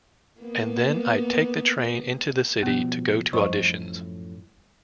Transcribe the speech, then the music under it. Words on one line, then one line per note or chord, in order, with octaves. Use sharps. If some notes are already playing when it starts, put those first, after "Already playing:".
"And then I'd take the train into the city to go to auditions".
A#3 B3
B2 F3 G3 B3
F#2 A2 F3 G3 C5 C#6